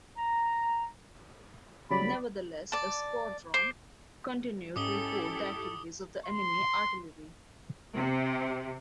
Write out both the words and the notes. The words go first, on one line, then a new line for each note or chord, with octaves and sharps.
Nevertheless, the squadron continued to report the activities of enemy artillery.
A#5
C#3 F#3 G3 D5 B5
D5 A5
C5 D6
G#2 C#4 E4 G4 A4 D6 D#6 G7
C6
C3